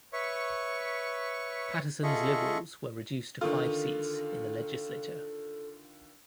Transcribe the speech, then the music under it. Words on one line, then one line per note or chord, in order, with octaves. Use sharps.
Patterson's Liberals were reduced to five seats in the Legislature.
B4 C#5 E5 C#6
F4 G#4 A4 D#5 E5 C#6
D3 D#3 F4 A4